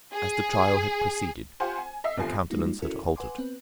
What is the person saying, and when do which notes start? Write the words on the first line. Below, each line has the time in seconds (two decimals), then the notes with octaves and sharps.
As the trial had proceeded, her countenance had altered.
0.14 G#4
1.60 F4 G4 C5 F#5 G#5
1.78 G#5
2.04 D#5 E5 C7
2.17 G1 C3 F3 G#5 C7
2.50 G3 G#3 A#3 D#4 F4 F#4
2.82 G1 C#4 E4 F#4 A4 A#4
3.02 F2
3.16 B4 F#5 G#5 C6 D6
3.38 B3 C4 B4